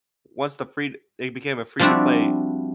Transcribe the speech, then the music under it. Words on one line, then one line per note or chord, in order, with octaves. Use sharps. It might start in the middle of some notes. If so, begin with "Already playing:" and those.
once the free it became a free-to-play
F3 G3 C4 D4 E4 F#4